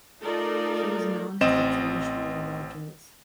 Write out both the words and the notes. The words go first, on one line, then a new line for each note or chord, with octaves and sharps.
He was known as "the Jewish Will Rogers".
A3 D#4 F4 A4 A#4 D5
A1 C4 D#5 E7